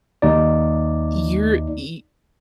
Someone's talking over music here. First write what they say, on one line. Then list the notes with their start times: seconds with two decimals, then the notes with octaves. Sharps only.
you're y
0.22 D#2 D#4 D5